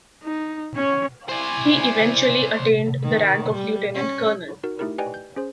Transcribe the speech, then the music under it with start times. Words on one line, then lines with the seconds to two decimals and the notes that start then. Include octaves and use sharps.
He eventually attained the rank of lieutenant-colonel.
0.23 D#4
0.76 C#4 C#5
1.29 E4 C5 D5 G#5
3.02 D#3
3.53 G3
3.94 C#4
4.63 D#4 F#4 A#4
4.79 A3 D#4 E4 G4 A#4
4.98 G4 B4 D5 D#5 G5 G#5
5.14 G6
5.36 C#4 G#4 C5